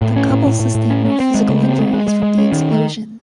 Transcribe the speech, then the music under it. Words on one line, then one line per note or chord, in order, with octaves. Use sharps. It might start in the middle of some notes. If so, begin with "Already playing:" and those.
The couple sustained no physical injuries from the explosion.
A2
C#4
A2
A2
A2
A2
C#4
C#4
C4
G#3
C#3
C4
G#3
G#3
G#3
G#3
C#4
D#3